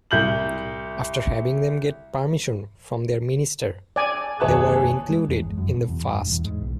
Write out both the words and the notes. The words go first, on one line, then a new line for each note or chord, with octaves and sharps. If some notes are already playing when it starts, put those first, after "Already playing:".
After having them get permission from their minister they were included in the fast.
C2 G6 F#7
D5 G#5
F#1 D#2 G#4 C#5 A5 F#6
G#3
E2
G1
F#2
B2
E2
G2
E1
E2
G#2
B1